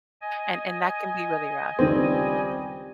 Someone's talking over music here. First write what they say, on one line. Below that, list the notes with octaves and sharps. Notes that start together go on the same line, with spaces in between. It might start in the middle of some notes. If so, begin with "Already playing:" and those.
and and that can be really rough.
D#5 G#5
C#2 D#3 G3 C4